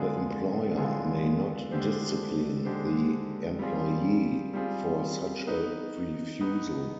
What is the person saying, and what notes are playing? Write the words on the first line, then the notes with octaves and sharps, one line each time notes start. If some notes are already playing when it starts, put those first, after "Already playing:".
The employer may not discipline the employee for such a refusal.
Already playing: D3 G#3 B3 F4 G#4
D3 G#3 B3 F4 G#4
D3 G#3 D4 G4 C5
D3 G#3 D4 G4 C5
G3 C4 F4 G#4
G3 C4 F4 G#4
B3 D#4 B4
B3 D#4 B4